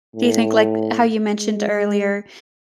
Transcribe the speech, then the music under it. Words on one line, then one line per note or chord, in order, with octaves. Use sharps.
Do you think like, how you mentioned earlier,
A2
G#3